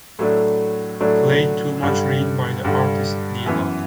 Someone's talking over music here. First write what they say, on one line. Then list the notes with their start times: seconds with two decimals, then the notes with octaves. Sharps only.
Play Too Much Rain by the artist D-loc.
0.19 A2 F#3 A3 D4
1.00 A2 F#3 A3 D4
1.82 G2 D3 G3
2.64 G2 D3 G3
3.46 F#2 E3 B3